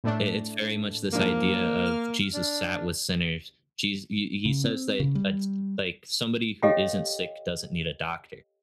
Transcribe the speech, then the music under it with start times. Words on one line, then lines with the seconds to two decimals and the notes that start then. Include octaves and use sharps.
i it's very much this idea of Jesus sat with sinners, Jes he he says that a d like, somebody who isn't sick doesn't need a doctor,
0.04 A2 A3 D4
1.13 G#2 F3 A#3 D4
1.85 F6
2.34 D4
4.45 C#3
4.64 C4
5.00 C#3
5.15 G3
6.63 G4 A4 C#5 D#5 F5 G5